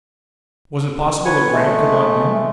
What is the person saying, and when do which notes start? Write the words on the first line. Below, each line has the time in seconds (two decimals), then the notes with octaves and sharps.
Was it possible that Grant could not win?
1.25 B4 C#5 F#5 G#5
1.52 G#3 A3